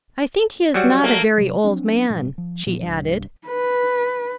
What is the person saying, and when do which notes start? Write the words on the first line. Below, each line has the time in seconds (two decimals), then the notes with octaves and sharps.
"I think he is not a very old man," she added.
0.74 F#3 G3 F#4
1.03 A3 A#3
1.38 C3 F#3
1.64 F#3 C4 D4
2.09 G2 A#2 G3
2.38 F3
2.66 A#2 F3 F#3 B3
2.84 C2 G2
3.48 B4